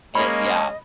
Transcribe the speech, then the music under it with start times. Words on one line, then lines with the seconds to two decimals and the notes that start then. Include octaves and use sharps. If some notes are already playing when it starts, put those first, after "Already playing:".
it yeah.
0.15 G#3 A#3 C#4 D#5 B5